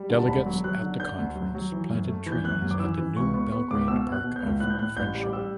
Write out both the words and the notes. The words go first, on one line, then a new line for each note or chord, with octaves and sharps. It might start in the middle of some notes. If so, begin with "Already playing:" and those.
Delegates at the conference planted trees at the New Belgrade Park of Friendship.
Already playing: G3
D3
A5
E1 B5
F#3
F#3 F#6
D3
D3 G6
D2
F#3
F#3
E3
F#2
A3
E3
G6
F#2 F#6
F#2
D6
E3 E6
E3
C#2 C#6
B3 C#6
B3 C#6
C#2 D6
B2 E6
B3 F#6
B2
G6
C#2
A2 F#6
G6
A2 F#6
A1 G6
G3
D6
G3 E6